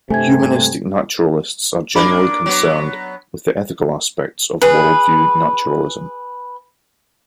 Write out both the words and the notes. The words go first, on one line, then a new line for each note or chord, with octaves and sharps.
Humanistic naturalists are generally concerned with the ethical aspects of worldview naturalism.
G2 C3 A3 G#5 G#6
A#3 D4 B5 D6
F#3 B3
G#4 B4